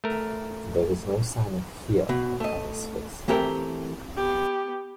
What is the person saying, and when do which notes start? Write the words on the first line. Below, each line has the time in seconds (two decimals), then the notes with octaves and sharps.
There was no sign of fear upon his face.
0.04 A3 A#4
2.09 B2
2.40 A3 D#5
3.28 E3 A3 C4 G4 A#4
4.17 B3 G4